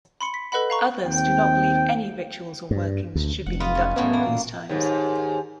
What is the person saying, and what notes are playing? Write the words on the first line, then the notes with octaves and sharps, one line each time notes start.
Others do not believe any rituals or workings should be conducted at these times.
B5 C6 C#7
B6
A4 B4 D#5 F#5 B5
F5 A#5 C#6
D#2 C4 G5
G2
D2
F1 F#5
F4 B4 D#5
C#4
F#2 A2 E3 B3
A#3
A#2
D#2 G#2